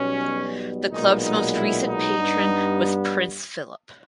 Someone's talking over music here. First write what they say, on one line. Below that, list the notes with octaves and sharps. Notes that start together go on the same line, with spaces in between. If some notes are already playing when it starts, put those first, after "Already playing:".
The clubs most recent patron was Prince Philip.
Already playing: B1 B2 G3 C#4
B1 A#2 G#3 B3 D#4
D#4
E4
D#4
G2 G3 B3